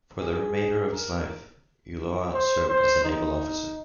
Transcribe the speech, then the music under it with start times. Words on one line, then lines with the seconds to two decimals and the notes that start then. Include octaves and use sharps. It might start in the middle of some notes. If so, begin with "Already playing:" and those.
For the remainder of his life, Ulloa served as a naval officer.
0.20 G#4
0.91 A#4
2.34 C5
2.69 C5
3.04 D#4